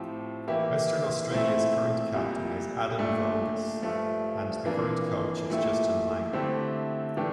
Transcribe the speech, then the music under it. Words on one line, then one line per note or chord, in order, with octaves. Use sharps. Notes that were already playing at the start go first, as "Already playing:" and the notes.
Western Australia's current captain is Adam Voges, and the current coach is Justin Langer.
Already playing: A2 F3 C4 G4
E3 A#3 E4 G4
A#2 A3 C4 E4
C2 A#2 G3
A#2 A3 D4
G2 F3 A3
F2 E3 A#3 D4
A#2 A3 E4 G4
D3 A3 C4 E4 G4
A2 E3 A3 D4 G4